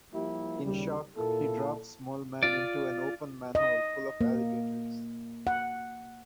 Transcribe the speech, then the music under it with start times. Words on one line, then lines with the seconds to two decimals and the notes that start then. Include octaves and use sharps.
In shock, he drops Moleman into an open manhole full of alligators.
0.13 F3 G3 A#3 E4 G4
0.64 D#2 C#3 G3
1.17 A#2 A#3 E4 A4
2.43 F4 D5
3.55 D#5
4.21 A#3
5.47 F#5